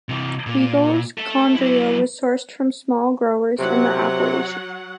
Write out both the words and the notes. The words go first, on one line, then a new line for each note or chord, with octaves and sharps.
Guigal's Condrieu was sourced from small growers in the appellation.
C3 E3
A#2
A4 E5
F#3 E4
C3 F#3 F#5